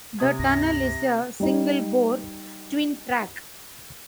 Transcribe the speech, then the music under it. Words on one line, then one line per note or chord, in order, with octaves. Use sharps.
The tunnel is a single bore twin track.
C3 D#6 G#6
C#2 G2 C4 A#6
G3 D#4